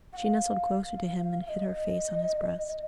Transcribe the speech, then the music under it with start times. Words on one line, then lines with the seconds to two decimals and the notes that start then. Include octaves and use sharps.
She nestled closer to him and hid her face on his breast.
0.13 F#5
0.17 F5
1.46 F5
1.49 D#5